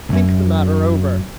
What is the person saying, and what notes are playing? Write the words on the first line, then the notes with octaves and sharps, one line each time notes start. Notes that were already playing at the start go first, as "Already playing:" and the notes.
Think the matter over!
B1 F#2